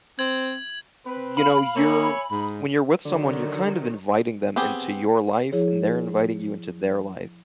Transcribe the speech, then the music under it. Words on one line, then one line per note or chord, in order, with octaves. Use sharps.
y you know, you're when you're with someone, you're kind of inviting them into your life, and they're inviting you into their life,
C4 G#6 F#7
C4 B4
F5 B5
A#3 C#5 E5 G#5
G#2 D#4
D3 D#3 F#3
B3 C4 G4 G#4
F3 E4 G#4 C#5